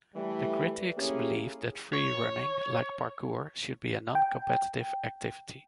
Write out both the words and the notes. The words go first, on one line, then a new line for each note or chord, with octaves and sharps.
The critics believed that freerunning, like parkour, should be a non-competitive activity.
E3 G3 A3
A3 A#3 C#4 E4 G4 G#4
C#5
G5